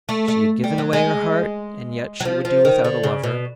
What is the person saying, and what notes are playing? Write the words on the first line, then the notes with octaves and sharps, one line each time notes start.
She had given away her heart, and yet she would do without a lover.
A3
A3
G3
F#3
G#3
F#3
F3
F3
D#3
D3
C#3
B2